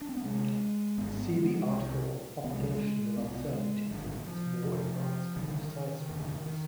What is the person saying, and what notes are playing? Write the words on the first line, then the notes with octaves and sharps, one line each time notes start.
See the article on propagation of uncertainty for these more advanced and precise rules.
D4
C4
B3
D2 C3 G#3
G#1 G#2 B3
G#3
B3
G#3
B3
G#3
C2 C3
C2 C3 B3
G#3
G3
G#3
C2 B2 B3
B3
G#3
G#1 G2 D3
F3
F1 F2 C3
G1 G2 D3 D#3
F1 D#2 D3
D#3